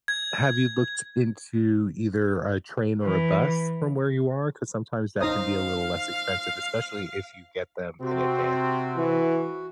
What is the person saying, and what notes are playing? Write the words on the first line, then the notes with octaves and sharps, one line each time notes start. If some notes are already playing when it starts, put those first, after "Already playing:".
have you looked into either a train or a bus from where you are? 'Cause sometimes that can be a little less expensive, especially if you get them in advance.
G#6
E3
D#4 C5 F5 A#5 D#6
C3 C4 F#4
E3